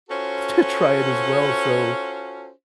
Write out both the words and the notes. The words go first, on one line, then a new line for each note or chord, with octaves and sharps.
to try it as well so,
C#4 F4 F#4 A4 C5